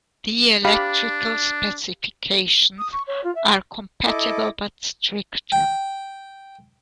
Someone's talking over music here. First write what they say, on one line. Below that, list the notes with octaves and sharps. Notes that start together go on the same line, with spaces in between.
The electrical specifications are compatible, but stricter.
D4 G4 F5 B5
D#6
C#6
C#5
F4
E5
E4 A4 D#5 D6
G5